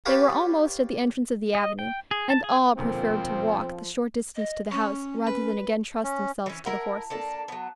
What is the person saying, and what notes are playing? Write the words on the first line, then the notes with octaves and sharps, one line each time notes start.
They were almost at the entrance of the avenue, and all preferred to walk the short distance to the house rather than again trust themselves to the horses.
G4 B4 C#5 D5 F5 A5
D#5
G5
G#4
A5
G#4
E1 D2 A#2 F3 C4
D#5
C#4 C#5
B4
C#4
E3 C#4
E4 A#4 F#5
A5
A#3 D4 A4
F#3 B3